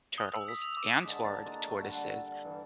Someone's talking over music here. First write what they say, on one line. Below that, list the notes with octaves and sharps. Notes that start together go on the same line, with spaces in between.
turtles and tort tortoises,
D#6
E6
B6
F7
D6
D3 G#3
A#3 A5 A#5
G#3 D4 F4 G4
A3
D3 G3 F#5 A5
G2 E3